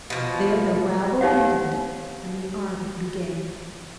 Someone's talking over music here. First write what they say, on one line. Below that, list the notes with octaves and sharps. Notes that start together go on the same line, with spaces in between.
There the rabble ended and the army began.
B2 F3
D#4 G4 C#5 F5 F#5